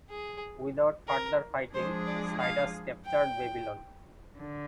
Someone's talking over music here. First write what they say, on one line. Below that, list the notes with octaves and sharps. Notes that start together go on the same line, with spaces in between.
Without further fighting, Cyrus captured Babylon.
G#4
A#4
F3 G#3 D4 G#4 C5
D5
F5
G5
D3